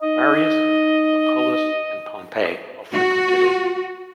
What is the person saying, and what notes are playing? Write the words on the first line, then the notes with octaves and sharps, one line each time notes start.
Marius, Lucullus, and Pompey all frequented it.
D#4 D#5
F#4